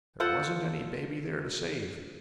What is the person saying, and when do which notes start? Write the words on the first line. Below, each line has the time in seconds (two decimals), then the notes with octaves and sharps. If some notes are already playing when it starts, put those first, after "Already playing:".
There wasn't any baby there to save.
0.20 F4 A4 C5 F#5